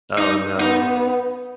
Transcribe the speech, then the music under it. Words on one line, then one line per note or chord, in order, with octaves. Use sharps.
Oh, no.
D#4
B3 D#4